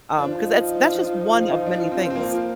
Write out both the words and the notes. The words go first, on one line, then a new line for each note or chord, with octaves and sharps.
um 'cause that's that's just one of many things.
F3 D4
D#4
D#4
D4
D#4
F4
D#4
D4
C4
C4
F3 A#3